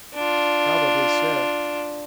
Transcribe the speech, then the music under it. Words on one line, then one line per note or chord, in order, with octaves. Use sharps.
Probably so.
D4 F4